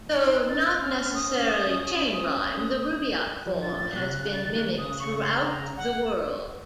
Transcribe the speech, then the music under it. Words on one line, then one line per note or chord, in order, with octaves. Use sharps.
Though not necessarily chain rhyme, the Rubiyat form has been mimicked throughout the world.
D#4 F6
F#6
A6
F#6
C#4 F6
F6
D#6
F6
D#6
D#6
F3
A6
A2
A6
A#2
C3 F#6
C#3 F#6
A6
D#3
F#6
C#3 D#6
C#6
C6
A#5
F#5